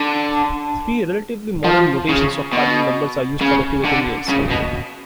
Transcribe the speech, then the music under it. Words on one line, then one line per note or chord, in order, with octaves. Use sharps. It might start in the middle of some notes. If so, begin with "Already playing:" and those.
Three relatively modern notations of cardinal numbers are used for Tibetan years.
Already playing: D3
F3
C#3
B2
C#3
D3
C#3
B2